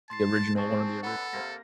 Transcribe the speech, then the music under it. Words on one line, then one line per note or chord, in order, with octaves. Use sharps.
The original, one of the original.
A5 C6 A6 C7
C4 G#4 C5 A5 C#6
F#2 B3 A4 F#5 B5 E6
C3 A#3 A#6